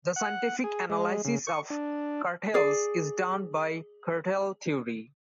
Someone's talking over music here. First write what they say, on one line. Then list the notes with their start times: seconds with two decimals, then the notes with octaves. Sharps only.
The scientific analysis of cartels is done by cartel theory.
0.16 F#5
0.64 G#4
0.90 G#3
1.25 C#3
1.47 C#6
1.70 D4
2.54 G#4 D5